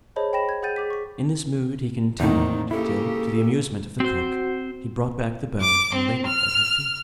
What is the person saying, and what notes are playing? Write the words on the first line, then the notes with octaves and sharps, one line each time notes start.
In this mood he continued, till, to the amusement of the cook, he brought back the bone and laid it at her feet.
G#4 C5 C#5 D#5 A5 B5
G5 B5 A#6 E7
G#6
G#4 F#5 G5 G6 A6 D#7
G#4 D6 B6
C#6 B6
E2 A2 D#3 A#3 C4 D#4
C#3 A#3 E4 G4 A4
C4 F#4 C5
D6
C4
F6